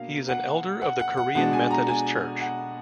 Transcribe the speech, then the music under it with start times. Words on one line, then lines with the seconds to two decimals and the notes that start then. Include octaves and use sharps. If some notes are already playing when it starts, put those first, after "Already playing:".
He is an elder of the Korean Methodist Church.
Already playing: B2 A#3 D4 F5
0.28 F#5
0.82 F#5
1.00 F#5
1.17 F#5
1.35 B2 G#3 D4 F#5
1.53 G#5
1.71 A#5
1.88 G#5
2.41 F#5